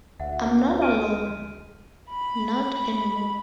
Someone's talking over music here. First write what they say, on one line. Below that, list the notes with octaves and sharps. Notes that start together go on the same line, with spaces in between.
I'm not alone... not anymore.
D2 E5 F#5
F6 D7 D#7
B5